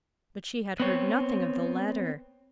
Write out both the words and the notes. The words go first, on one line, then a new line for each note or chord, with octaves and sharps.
But she had heard nothing of the letter.
B3 C4 C#5